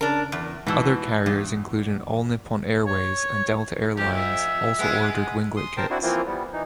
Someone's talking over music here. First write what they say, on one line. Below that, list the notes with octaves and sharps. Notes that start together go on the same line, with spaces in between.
Other carriers including All Nippon Airways and Delta Air Lines also ordered winglet kits.
C#3 D4 A#4
E2
G#2 B2 E3 E6
E2 G2
C#5
F2 G4
E5
G#3 B3
C6 D#6
A#4 C5 G5 A5
C4 D4 E4 F#4
E3 F3 A#3 C4 E4 F4
G3 B3
E3 D#4